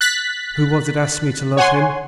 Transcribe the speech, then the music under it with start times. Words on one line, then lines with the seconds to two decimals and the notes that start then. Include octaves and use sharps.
"Who was it asked me to love him?"
0.01 F#6 A6 B6
1.57 C#5 F#5 G#5 C6